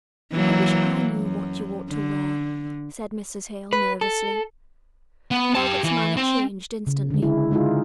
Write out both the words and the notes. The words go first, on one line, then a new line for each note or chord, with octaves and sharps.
'I wish I knew what you ought to wear,' said Mrs. Hale, nervously. Margaret's manner changed instantly.
E3 F#3 A#3
F#2
D3
B4
A4
B3
G4 A5
E3
C4
C#3
D3 G#3
E4
G#3 D#4 F4 G#4